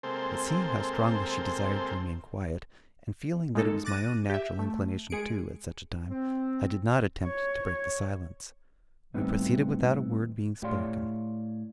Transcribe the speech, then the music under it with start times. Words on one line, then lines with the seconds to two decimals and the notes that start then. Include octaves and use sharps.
But seeing how strongly she desired to remain quiet, and feeling that it was my own natural inclination too, at such a time, I did not attempt to break the silence. We proceeded without a word being spoken.
0.03 C3 G#3 A#3 C4 A4 C5
3.55 G#3 A#3 D#4 A4
3.85 D6 F#6 A6 A#6 D#7
4.30 G4 E5
4.59 A3
5.10 G#3 G#4 C#7 D7
6.08 C4
7.24 C#5
7.63 C#5
9.14 D#2 A2 G3 B3 C4 D#4
10.62 A2 G4 C#5 D5 F5 C6